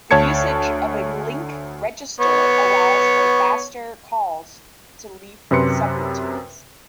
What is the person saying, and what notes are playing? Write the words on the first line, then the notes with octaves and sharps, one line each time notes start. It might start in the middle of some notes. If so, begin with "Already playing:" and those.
The usage of a link register allows for faster calls to leaf subroutines.
D2 C#5 A5 G#6 C#7
B3 C#5
F#2 C3 B4 C6 C#7